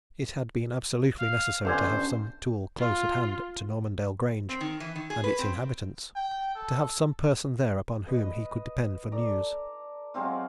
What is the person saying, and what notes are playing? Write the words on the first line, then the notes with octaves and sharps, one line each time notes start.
It had been absolutely necessary to have some tool close at hand to Normandale Grange and its inhabitants; to have some person there upon whom he could depend for news.
F5
G1 D3 C#4 D4 C5 G#5
F4
C4
D#3
E3
D#3
G#4
B4
C4
G5
A4
B4 D#5 B5
A4 D5 A#5
F#3 G#3 C4 F4